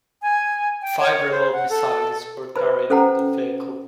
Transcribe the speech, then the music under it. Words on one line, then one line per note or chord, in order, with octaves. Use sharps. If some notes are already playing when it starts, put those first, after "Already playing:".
Five reload missiles were carried in the vehicle.
G#5
G5
C#5
C5
F#5
A4
B4 C5 B5
C#4 A4 C5 F#5 G5 A#5